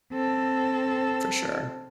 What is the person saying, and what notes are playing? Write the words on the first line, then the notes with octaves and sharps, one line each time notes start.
For sure.
C4 A4